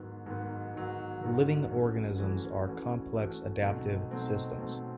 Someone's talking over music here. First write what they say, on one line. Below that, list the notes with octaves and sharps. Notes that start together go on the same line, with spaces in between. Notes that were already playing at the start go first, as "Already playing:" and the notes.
Living organisms are complex adaptive systems.
Already playing: G#2 D#3 F#3 B3
G#2 D#3 F#3 B3
G#2 D#3 F#3 B3
G#2 D#3 F#3 B3
E3 A3 C#4 F#4
E3 A3 C#4 F#4
E3 A3 C#4 F#4
E3 A3 C#4 F#4
B2 F#3 A3 C4 D#4
B2 F#3 A3 C4 D#4
B2 F#3 A3 C4 D#4